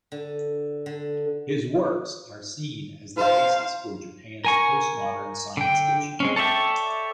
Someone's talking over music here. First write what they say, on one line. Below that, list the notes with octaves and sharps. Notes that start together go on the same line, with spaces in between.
His works are seen as the basis for Japan's postmodern science fiction.
D3
D3
C5 F5
A#4 G#5 C#6
D3 G5
G#3 C4 C#4
A4 C#5 D5 E5 G5